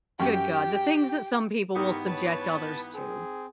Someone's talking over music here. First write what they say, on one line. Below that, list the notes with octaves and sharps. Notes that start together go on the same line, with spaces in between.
good god, the things that some people will subject others to.
F#2 G4 G5
G#2 E3 B3 G4 A#4 C#6 D#6
B4 C#5 A5
C4 G#4